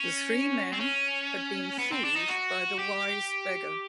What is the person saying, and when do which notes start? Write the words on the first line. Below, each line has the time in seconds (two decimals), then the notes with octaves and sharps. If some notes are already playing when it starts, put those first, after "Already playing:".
The three men had been fooled by the wise beggar.
Already playing: C#4
0.72 C4
0.80 C#4
1.79 B3
1.92 C4
2.05 D4
2.16 D#4
2.29 F#4
2.79 G4